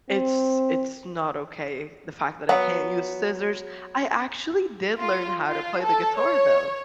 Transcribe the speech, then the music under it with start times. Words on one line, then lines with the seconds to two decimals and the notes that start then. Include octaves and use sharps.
It's it's not okay, the fact that I can't use scissors I actually did learn how to play the guitar, though,
0.10 C4
2.49 F#3 B3
4.98 F4
5.48 F4
5.82 A4
6.17 C#5